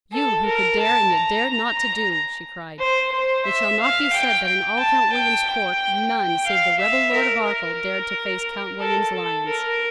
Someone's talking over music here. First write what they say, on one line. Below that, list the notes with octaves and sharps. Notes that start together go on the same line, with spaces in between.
"You who could dare and yet dared not to do!" she cried, "it shall not be said that in all Count William's court none save the rebel Lord of Arkell dared to face Count William's lions!"
A4
A#4
A5
A#5
A#5
C5
C5
E5
F5
G5
A5
G5
G5
F5
E5
A#4
A#4
A4
A4
A#4